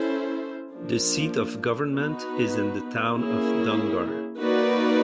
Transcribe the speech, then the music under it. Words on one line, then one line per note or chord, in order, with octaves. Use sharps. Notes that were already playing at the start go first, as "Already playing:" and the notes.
The seat of government is in the town of Donggar.
Already playing: C#4 E4 A4 C5
F3 A#3 D4
B3 D#4 F#4 B4
A#3 C#4 E4 G#4
A#3 D#4 F#4 B4 D5